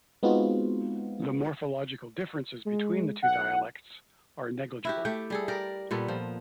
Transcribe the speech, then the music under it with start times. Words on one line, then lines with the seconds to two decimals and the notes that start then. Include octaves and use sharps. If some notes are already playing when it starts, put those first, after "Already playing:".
The morphological differences between the two dialects are negligible.
0.23 G#3 B3 C4 D#4 F4 F#4
2.66 G#3
3.22 B1 F#5
4.85 E4 F#4 G4
5.05 A3 G4 G5
5.30 G3 G#4 A4
5.48 G4 A#4 D5
5.91 A#2 G3 B3 A4
6.08 F3